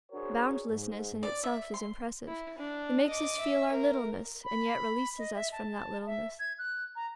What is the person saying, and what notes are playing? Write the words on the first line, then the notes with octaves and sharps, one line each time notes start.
Boundlessness in itself is impressive; it makes us feel our littleness, and yet releases us from that littleness.
D4 F#4 G#4 A#4 C5 C#5
G#2
D5
E5
C6
E4
D4
D#5 D6
E5
A#4
B5
D#5
E5
A5
E5
G#6
F#6
A#5